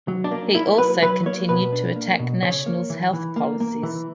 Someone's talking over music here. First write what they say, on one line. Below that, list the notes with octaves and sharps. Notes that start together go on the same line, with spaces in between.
He also continued to attack National's health policies.
F#3
D4
A#3
A#3 E4
F#3 B4
F#3 B4
A#3 C#5
B2 B4
D4
A#3
B2
C#3 C#5
A#3
E3
E3
A#3
A#3
E3